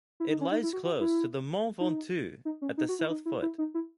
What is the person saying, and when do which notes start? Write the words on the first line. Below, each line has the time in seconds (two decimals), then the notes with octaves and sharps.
It lies close to the Mont Ventoux, at the south foot.
0.20 E4
0.30 D#4
0.41 C#4
0.51 D#4
0.63 E4
0.73 F#4
0.84 F#4
1.00 E4
1.80 D#4
2.45 D#4
2.62 C#4
2.78 D#4
2.89 F#4
2.99 E4
3.09 D#4
3.26 E4
3.42 E4
3.58 D#4
3.74 E4